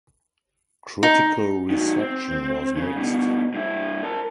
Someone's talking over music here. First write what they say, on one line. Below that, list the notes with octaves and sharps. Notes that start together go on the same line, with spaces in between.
Critical reception was mixed.
D#4
D#3 F#3
C4
C#3
G2 B2
G2 E4
A#4 A5